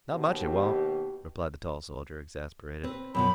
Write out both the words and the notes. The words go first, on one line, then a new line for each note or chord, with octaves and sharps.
"Not much it won't," replied the tall soldier, exasperated.
D#2 B2 G4
C4 B4
F#2 B2 F3 B5